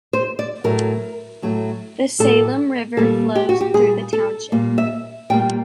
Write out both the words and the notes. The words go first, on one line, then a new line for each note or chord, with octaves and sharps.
The Salem River flows through the township.
C5
D5
A2 F#3 A3 A#4
A2 F#3 A3
A2 F#3 A3 A4
A#2 G3 A#3 A4
G4
F#4
G4
A#2 G3 A#3 G#4
A4
A#2 G3 A#3
E5
A#2 G3 A#3 G5